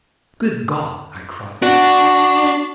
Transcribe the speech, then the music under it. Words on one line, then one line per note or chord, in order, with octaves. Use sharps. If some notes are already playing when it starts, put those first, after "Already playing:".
"Good God!" I cried.
D4 F#4